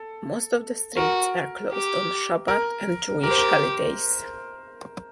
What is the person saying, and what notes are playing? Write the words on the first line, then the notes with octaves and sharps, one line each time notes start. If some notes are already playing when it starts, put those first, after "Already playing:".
Most of the streets are closed on Shabbat and Jewish holidays.
Already playing: A4
F#4 A#4
G4
A#4
G4 A#4
C5
A#4